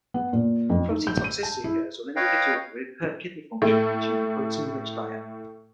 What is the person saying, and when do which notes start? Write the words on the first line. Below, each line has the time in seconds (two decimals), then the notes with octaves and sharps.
Protein toxicity occurs when an individual with impaired kidney function consumes protein rich diet.
0.14 B3
0.33 A#2
0.70 F2
0.89 D#4
1.07 G6
1.24 D#7
1.43 A5
1.64 E4
2.16 B4 C#5 D#5 F5 G5
3.62 A2 A3